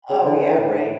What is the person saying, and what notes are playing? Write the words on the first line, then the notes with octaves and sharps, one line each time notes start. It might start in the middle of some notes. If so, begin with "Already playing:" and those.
Oh, yeah, right?
C#3
D3
C#3
D3
E3
A2
G#2
A2